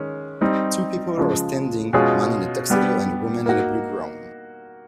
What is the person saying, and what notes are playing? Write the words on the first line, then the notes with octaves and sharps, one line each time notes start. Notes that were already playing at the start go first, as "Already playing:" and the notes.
Two people are standing, man in a tuxedo and women in a blue gown.
Already playing: D#3 G#3 C#4
G3 C4 D#4
C#3 F3 G#3
B2 G#3 C#4 F4 G#4
G3 B3 D4 G4
A#3 D#4 F#4